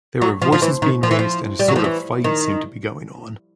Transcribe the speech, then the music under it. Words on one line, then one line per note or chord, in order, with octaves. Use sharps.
There were voices being raised and a sort of fight seemed to be going on...
F#3
F3
F3
E3
D#3
F3
E3
F3
G3
F#3
F3
E3
D#3